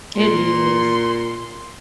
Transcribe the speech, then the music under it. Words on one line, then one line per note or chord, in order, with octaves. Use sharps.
It is.
A#2 C6